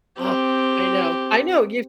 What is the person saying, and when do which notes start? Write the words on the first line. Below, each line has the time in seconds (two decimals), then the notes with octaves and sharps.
Oh, I know. I know you
0.19 C4 G4